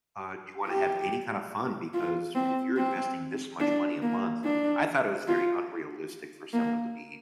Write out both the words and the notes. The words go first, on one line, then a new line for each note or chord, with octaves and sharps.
Uh, do you wanna have any kind of fun? Because if you're investing this much money a month I thought it was very unrealistic for someone to be
G4
F4
C4
C4
D4
A#3
D4
F4
A#3